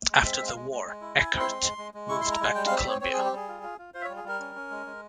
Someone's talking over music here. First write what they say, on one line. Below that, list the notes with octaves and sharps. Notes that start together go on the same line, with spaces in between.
After the war Eckert moved back to Columbia.
G#3
C4 E5
E5
G#3
F5
G#3
G#3
G#3
E4
E4 G#5
C4
C6
G#3
G#3
G#3
G#3
E4 C#6
C6
G#3
A#5
G#3 G#5
G3 G5
F5
C4
E5
C4 C#5
C4 C#5
G#4
G3
G4
G3 G#4
F4
F4
F4
F4 C5
E5
C#5
G3
G#4
G3 A#4
C#4
C#4
G#3
G#3